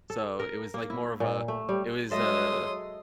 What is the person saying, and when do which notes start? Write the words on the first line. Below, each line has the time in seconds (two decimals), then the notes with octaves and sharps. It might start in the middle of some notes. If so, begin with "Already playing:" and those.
so it was like more of a it was a
0.10 A4
0.39 A#4
0.74 A#3
0.90 E4
1.20 A#2
1.48 A3
1.69 G3
2.11 F#3 G#3 A4 C#5 D#5 E5 C6 D#6